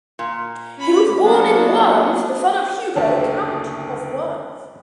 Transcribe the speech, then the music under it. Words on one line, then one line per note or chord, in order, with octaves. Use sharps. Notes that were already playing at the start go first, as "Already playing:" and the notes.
He was born in Worms, the son of Hugo, count of Worms.
A#2
C#4 B5
F#3 A#3 B3 D4
F#1 D2 D3 A#3 G4 A5